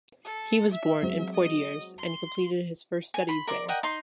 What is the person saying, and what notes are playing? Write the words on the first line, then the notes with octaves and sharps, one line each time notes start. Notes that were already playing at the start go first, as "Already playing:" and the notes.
He was born in Poitiers, and completed his first studies there.
A4
E5
F#3 G#3 C4
D#5
C6
G#5
B5 C6
A#4 D5 C6
A#4 D#5 F#5 G5
D#4 C6